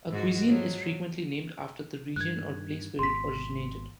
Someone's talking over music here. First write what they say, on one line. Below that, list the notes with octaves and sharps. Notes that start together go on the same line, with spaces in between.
A cuisine is frequently named after the region or place where it originated.
G#2 F#4
F3 F#3
G2 D#3 F#6 G#6
G#1 B2 C6 B6